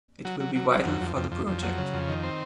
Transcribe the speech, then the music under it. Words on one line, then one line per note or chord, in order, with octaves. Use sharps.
It will be vital for the project.
F#3
F#3
F#3
F#3
F2
F2
F2
F2
F2
F#3
C#3
F2
D#3
C4